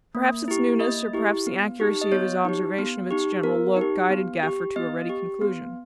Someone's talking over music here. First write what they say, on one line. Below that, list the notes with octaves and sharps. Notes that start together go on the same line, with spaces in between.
Perhaps its newness, or perhaps the accuracy of his observation of its general look, guided Gaffer to a ready conclusion.
A#3
E4 G4
A#3 D#5
E4 G4
B3
D#4 G4
D#5
B3 C#5
D#4 G4
B3
D#4 G4
B3 A#4
D#4 G4
B3
G4
B3 D#5
G4
B3